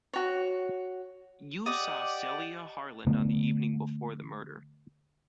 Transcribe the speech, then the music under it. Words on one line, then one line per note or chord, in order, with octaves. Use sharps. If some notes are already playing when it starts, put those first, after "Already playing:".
You saw Celia Harland on the evening before the murder.
F#4 C#5
G4 D5 D#5 F#5 D6
D3 A3 B3